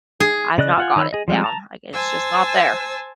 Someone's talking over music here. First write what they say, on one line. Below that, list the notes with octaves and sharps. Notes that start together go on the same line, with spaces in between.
I've not got it down, like, it's just not there.
G#4
C#3 D5 D#5 F#6
F4 F#5 G#5
D#3 D#4 C#5 B5 E6
G#4 D#5
F3 G3 G#3 C4
A5 A#5
C5 G#5 A5 E6